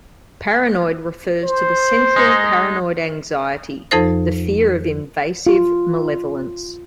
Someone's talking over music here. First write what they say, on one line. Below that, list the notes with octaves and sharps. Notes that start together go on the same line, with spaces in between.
Paranoid refers to the central paranoid anxiety, the fear of invasive malevolence.
C5
G#3 D#4
F2 F3 D#4 A4 C5 A#6
F4